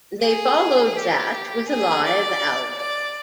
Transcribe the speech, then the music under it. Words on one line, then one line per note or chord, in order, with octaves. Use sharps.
They followed that with a live album.
G#4
G4
G#4
D5
D5